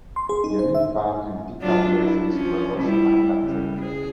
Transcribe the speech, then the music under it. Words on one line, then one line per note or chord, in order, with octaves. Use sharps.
Unique van and pick-up versions were also manufactured there.
C6
G#4
D#4
C5
E5
F#3 D4 F4
E4
F3 C#4
G3 E4
C#3 G3
G#4